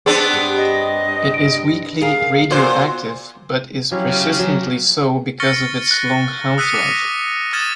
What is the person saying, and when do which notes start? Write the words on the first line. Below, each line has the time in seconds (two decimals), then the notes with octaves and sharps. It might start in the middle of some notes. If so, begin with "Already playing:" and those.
It is weakly radioactive but is 'persistently' so because of its long half-life.
0.06 B3 C4 D4 G#4
0.34 G2
0.57 D#5
1.34 D7
2.01 G#4 A#4 F5
2.51 A#2 B3 F#4 C5
3.91 F#3 C#4 E4 G4 F5
4.07 C#3
4.39 F#3
5.40 C#6 F6 A6 A#6 C#7 G7
5.91 F#6 A#6
6.58 D#6 E6 F#6 B6 C#7 D#7
6.74 D6 A#6 B6 C#7 D#7
7.53 D#6 F6 G#6 A6 D#7 E7